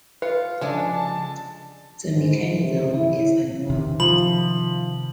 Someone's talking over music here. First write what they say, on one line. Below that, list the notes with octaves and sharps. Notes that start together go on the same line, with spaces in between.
The mechanism is unknown.
F4 B4 C#7
C#3 F3 G#3 D4 G#4 A4
A5
G#2
C3
E4
C3 D#3
F3 B5 F#7